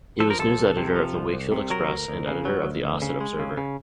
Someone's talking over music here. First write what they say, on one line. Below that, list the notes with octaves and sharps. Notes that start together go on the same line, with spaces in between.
He was news editor of the "Wakefield Express" and editor of the "Ossett Observer".
F3 A4
A#4
C2 A4
C2
C3
F3
C2
C2
C3
F#3 A#4
D2
D2
C#3
F#3
D2
D2
C#3
G#3
C#3
C#3